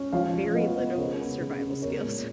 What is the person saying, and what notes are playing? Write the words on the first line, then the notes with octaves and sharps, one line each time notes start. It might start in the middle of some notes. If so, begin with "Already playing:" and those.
very little survival skills.
Already playing: C#4
F3 C#5 F5
F3
B3 B4 D#5
B3
C#3 A#4 C#5
B3
C#3
C#3
B3 A#4 C#5
A#2